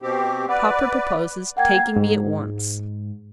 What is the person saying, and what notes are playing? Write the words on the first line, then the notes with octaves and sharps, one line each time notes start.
"Papa proposes taking me at once."
B2 C4 G4
B4 D5 F#5
A#3 F#5 G5 G#6
G#2